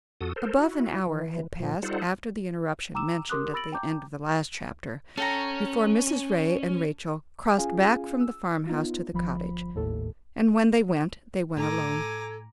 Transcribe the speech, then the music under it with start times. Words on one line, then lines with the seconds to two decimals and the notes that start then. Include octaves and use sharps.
Above an hour had passed after the interruption mentioned at the end of the last chapter before Mrs. Ray and Rachel crossed back from the farm-house to the cottage, and when they went they went alone.
0.21 F2 F#4 A4 D#6
0.36 A4 A#4 C5
0.57 E4 F#4
1.07 E3
1.60 A#2 F3
1.83 G3 D#4 F4 A4 C5 F#5
2.94 G5 A#5 D6 E6 E7
3.30 G4 A#4 C6 D6 D#6 F#6
3.54 B5 E6 A6 A#6 D7 F#7
3.72 G5 A5 A#5 D6 G6
5.17 C#4 A4 G5 A#5
7.58 C#4 F4 G#4 F5 G#5
8.20 E6
8.67 B3 D#4 F4
9.13 G1 F3 B5
9.75 G#1 D#2 A2 A4
11.57 A2 A4 G#5 A#5 D6